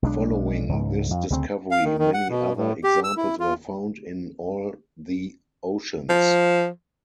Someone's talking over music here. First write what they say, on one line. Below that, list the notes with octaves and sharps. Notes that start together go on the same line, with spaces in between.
Following this discovery many other examples were found in all the oceans.
B1 G#3 D4
C#2 G#2
F2
D2 C#3 E3 C4
F5
D#3
D#3
F#5
B2
A2
G4
E6
E4
F4
F3